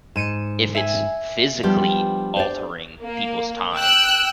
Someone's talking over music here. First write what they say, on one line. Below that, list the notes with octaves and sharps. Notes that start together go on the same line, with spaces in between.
if it's physically altering people's time,
G#2 C#7 D#7 E7
E5 G#5
F3 G3 B3 D4 G4
C5 D5
A#3
G5 E6 F#6